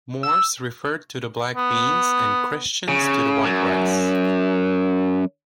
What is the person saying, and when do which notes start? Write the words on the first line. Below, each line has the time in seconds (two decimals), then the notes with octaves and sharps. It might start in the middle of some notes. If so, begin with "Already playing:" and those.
"Moors" refers to the black beans, and "Christians" to the white rice.
0.23 E6
1.56 B3
2.88 C#3
3.44 F#2